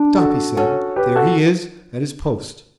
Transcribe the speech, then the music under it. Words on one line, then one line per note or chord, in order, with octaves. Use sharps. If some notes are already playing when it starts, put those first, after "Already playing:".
"Stop!" he said, "there he is at his post."
Already playing: D4
F#4 A4
C#4 F#4 A4
G4 B4
F#4 A4